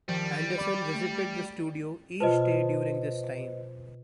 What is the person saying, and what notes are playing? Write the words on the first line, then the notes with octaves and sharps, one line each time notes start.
Anderson visited the studio each day during this time.
D#3 F3 G3
D5 B5 D6
A3
B2 F4 B4 C5 D#5 A5